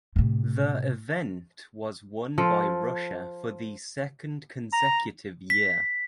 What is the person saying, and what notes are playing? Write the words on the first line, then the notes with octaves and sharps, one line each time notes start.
The event was won by Russia for the second consecutive year.
A2 C3
F3 A4
A#5
B6